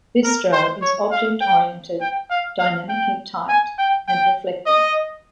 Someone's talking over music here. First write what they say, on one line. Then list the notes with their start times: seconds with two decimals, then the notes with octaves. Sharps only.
Bistro is object oriented, dynamically typed, and reflective.
0.24 A#4
0.52 C5
0.82 C#5
1.11 F5
1.41 G5
2.01 G5
2.30 F5
2.59 F5
2.89 G5
3.48 G#5
3.78 G5
4.08 G5
4.66 D#5